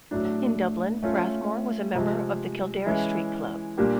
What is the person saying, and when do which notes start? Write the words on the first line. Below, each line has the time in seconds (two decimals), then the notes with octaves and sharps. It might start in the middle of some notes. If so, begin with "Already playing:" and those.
In Dublin, Rathmore was a member of the Kildare Street Club.
0.11 A2 F#3 A3 D4
1.03 A3 C#4 F4
1.95 C3 F3 G#3
2.86 E3 G#3 C#4 E4
3.78 A#2 G3 A#3 D4 G4